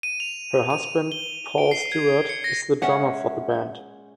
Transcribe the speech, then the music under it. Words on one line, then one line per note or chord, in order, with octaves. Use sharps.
Her husband Paul Stewart is the drummer for the band.
D#7
F7
D#7
G7
D7
C7
G#6
C#7
A#6
G#3 C#4 E5 F#5